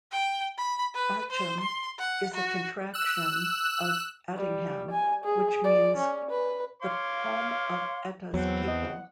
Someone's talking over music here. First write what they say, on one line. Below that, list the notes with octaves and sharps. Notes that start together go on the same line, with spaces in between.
'Atcham' is a contraction of 'Attingham' which means 'the home of Eata's people.
G5
B5
B4
C5
C6
F#5
F#4
E6 F#6
G3
G#5
G#4
D5
C#4
B4
C#5 F5 C6 D6
E2 F#3 C4 F#5
D#5